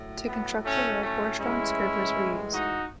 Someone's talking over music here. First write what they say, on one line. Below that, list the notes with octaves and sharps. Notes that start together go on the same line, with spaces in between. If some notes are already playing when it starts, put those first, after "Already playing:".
To construct the road, horse-drawn scrapers were used.
Already playing: A2 F#3
B3
A3 C#4
A3 C#4
A2 E3 G#3 C#4 E4
D#4 F#4